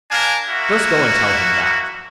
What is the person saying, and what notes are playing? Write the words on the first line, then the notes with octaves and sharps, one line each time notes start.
Just go and tell him that.'
D4 A#4 F5 G#5
A#3 E4 F#4